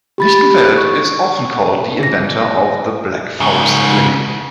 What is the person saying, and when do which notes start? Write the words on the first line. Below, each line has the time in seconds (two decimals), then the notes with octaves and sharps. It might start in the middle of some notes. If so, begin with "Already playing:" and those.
Lichtenfeld is often called the inventor of "The Black Forest Clinic".
0.18 G4 B5 A6
0.78 C#6
1.99 G#4 A#6
3.40 G#2 C#3